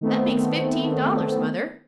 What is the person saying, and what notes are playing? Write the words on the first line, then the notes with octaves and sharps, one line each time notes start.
That makes fifteen dollars, mother.
D#3 A3 B3 C4